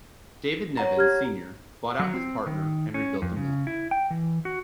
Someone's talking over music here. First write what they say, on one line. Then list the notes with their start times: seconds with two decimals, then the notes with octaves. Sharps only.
David Nevins, Senior bought out his partner and rebuilt the mill.
0.77 C#5 F#5 A#5
0.97 G4 F6 G#6
1.99 F#3
2.14 C4
2.46 D#3
2.94 C#4
3.22 F2
3.37 C#3
3.67 E4
3.91 G5
4.11 E3
4.45 F#4